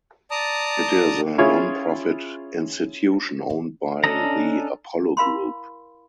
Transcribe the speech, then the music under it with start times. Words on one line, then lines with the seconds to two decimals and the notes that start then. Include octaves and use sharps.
It is a nonprofit institution owned by the Apollo Group.
0.31 D5 A5 A#5 D#6
1.38 C#4 E4 F4 G#4 C#5
4.04 C#4 D4 A4 D#5 A#5
5.17 E4 A#4 F5 B5 C6